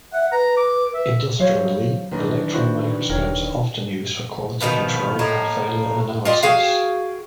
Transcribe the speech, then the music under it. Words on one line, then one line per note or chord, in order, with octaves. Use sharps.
Industrially, electron microscopes are often used for quality control and failure analysis.
E5 F#5
B4 A#5
D6
E5
F#3 C5 C#5 F5
D#3 E3 D4 A#4 C5
E4 F#4 C5 G5
E1 A#4 C#5 G5
B2 D#3 F3 B3
A2 A#3 D#4
F4 G4 D5 D#5
F#4 G#4 F5 G5